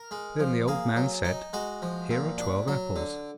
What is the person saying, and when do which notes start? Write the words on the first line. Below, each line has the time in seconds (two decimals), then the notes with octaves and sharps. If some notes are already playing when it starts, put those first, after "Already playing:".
Then the old man said, 'Here are twelve apples.
Already playing: A#4
0.11 G#3
0.40 F3
0.68 A#3 G#4
0.96 F#3
1.25 D#4
1.53 G#3 F#4
1.82 F3
2.11 A#2
2.38 D4
2.68 F#3
2.96 D3